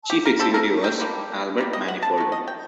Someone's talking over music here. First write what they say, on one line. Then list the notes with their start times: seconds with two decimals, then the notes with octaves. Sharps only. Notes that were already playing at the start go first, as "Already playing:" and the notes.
Chief executive was Albert Manifold.
0.10 G4
0.25 A#4
0.39 C3 G3 A#3 A4
0.54 A#4
0.84 G5
1.00 D3 G3 A#3
1.58 D#3 G3 A#3
1.73 D#5
1.88 F#5
2.02 A5
2.17 D#3 F#3 A3
2.32 D#5
2.47 G5